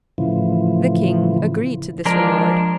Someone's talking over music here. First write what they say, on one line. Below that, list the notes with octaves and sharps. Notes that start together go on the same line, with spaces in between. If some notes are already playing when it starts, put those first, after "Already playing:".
The king agreed to this reward.
A2 C#3 E3 F3
F3 G#3 D4 A#4